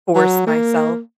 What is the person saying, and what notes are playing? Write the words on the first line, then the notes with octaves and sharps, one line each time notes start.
force myself.
F#3
A#3